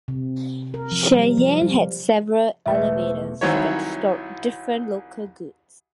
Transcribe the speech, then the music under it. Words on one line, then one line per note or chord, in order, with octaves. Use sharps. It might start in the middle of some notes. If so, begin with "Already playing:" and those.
Sheyenne had several elevators that stored different local goods.
C3
A#4
F3
G3
F3
G3
E1 A3 E5
C2 D#3 E3 F#3 C5 C#5